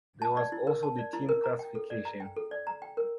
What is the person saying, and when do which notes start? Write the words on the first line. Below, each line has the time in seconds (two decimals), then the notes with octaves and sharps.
There was also the team classification.
0.22 A5
0.37 D5
0.52 E4
0.67 A#4
0.83 A5
0.98 D5
1.13 E4
1.29 A#4
1.44 A#5
1.59 G5
1.75 A4
1.90 D5
2.05 A#5
2.20 G5
2.36 A4
2.51 D5
2.67 A#5
2.82 G5
2.97 A#4